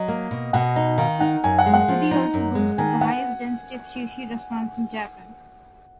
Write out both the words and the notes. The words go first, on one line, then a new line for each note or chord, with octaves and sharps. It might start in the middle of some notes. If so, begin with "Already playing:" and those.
The city also boasts of the highest density of sushi restaurants in Japan.
Already playing: F#3 D#5
A#3
B2
B2 F#5
D#4 D#5
D#3 F5
D#4 F#5
F#2 G#5
F#5
G#3
F#5
F3
D#4
F#2
G#3
D#3 G#5
B3 F#5